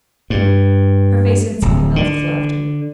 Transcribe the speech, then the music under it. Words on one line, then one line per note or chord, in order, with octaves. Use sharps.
Her face instantly melted to laughter.
G2
D1
D3